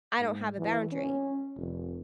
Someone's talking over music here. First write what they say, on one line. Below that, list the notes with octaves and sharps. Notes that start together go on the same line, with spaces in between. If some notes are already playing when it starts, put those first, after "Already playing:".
I don't have a boundary.
G#2
E3
C#4
F1